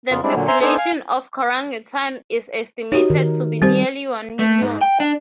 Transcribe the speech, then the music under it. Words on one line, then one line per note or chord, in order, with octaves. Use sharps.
The population of Korangi Town is estimated to be nearly one million.
F2 C#3 B3 F4
G3 G#3 C4 D4 E4
A#2 D3 F#3
C5 E5 G#5 A#5 C6
B3 D4 D#4 A4 C5 G#5
F5 G#5
D#4 F#4 G4 C#5
D#3 A#4
G3 C4 G4 C5
A3
G#2
G5
D4